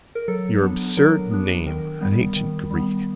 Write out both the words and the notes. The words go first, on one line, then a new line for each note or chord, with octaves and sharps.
Your absurd name, an ancient Greek!
A#4
F#3 A4
B3 D4
F#3 A#4
B3 D4
D#3 A#4
G3 B3
D#3
G3 B3